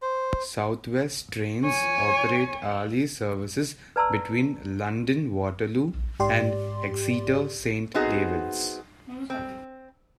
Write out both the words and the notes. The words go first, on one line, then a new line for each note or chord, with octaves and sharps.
South West Trains operate hourly services between London Waterloo and Exeter Saint Davids.
C5
C#5 G#5
B4 D5 A5 A#5 C6 E6
G#2 G4 D5 C6
B3 C4 D#4 F#4 G#4
C4